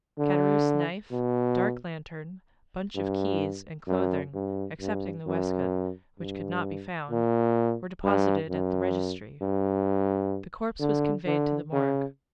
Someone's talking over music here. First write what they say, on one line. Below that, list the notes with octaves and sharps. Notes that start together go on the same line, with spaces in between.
Caderousse's knife, dark lantern, bunch of keys, and clothing, excepting the waistcoat, which could not be found, were deposited at the registry; the corpse was conveyed to the morgue.
D3
B2
G2
F#2
G2
G2
F#2
G2
A#2
G2
F#2
G2
D3
D3
C#3